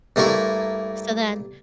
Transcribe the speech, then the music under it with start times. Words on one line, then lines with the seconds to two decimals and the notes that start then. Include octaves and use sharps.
So then
0.16 G2 A3 A#3 E4 C#6